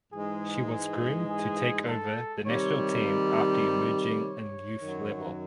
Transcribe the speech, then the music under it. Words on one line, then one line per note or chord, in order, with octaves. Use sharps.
She was groomed to take over the national team after emerging in youth level.
G#2 E3 G#3 G#4
G#4
G#4
A4
C3 D#3 G3 C#5
C#5
F#2 D#3 F#3